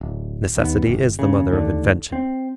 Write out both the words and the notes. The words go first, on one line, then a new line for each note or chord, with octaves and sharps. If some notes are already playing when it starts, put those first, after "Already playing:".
Necessity is the mother of invention.
D1
D#2 B3
G1
D#2 C#3
D#2 D3 A3
C4